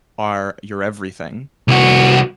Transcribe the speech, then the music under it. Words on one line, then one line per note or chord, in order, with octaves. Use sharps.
are your everything.
C2 F#4